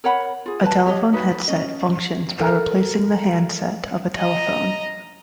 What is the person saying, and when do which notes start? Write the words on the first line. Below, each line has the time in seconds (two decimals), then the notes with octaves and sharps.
A telephone headset functions by replacing the handset of a telephone.
0.04 A#4 C#5 F#5 B5
0.46 F4 G#4
0.63 B4 A5
0.86 G4 C#5 D#5
1.13 D#4 F#4 B4
1.48 C#4 D#5
2.40 A4 A#4 A#5 F6
4.18 D#5 A#5